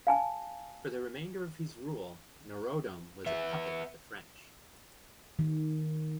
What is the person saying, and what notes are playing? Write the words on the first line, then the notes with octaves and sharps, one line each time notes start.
For the remainder of his rule Norodom was a puppet of the French.
F5 G#5 A5
B3 E5
D#3